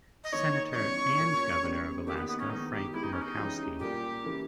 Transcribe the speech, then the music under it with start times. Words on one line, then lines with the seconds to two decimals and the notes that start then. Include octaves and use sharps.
Senator and Governor of Alaska Frank Murkowski.
0.24 D#5
0.32 D#3 A#3 D#4 C#5
0.72 D#5
0.75 C#3 E3 G3 B3 C#5
1.20 A#2 A#3 C#4
1.63 C#3 G3 B3 G4
2.06 D#3 A#3 D#4 G4
2.17 B3
2.28 B3
2.39 C#4
2.50 D#3 G#3 B3 D#4
2.72 G4
2.92 G#3 B3 E4 G4
3.03 D#4
3.13 C#4
3.22 D#4
3.37 C#3 E3 G#3 C#4 G4
3.79 A#2 G3 A#3 G4
4.23 C#3 E3 A#3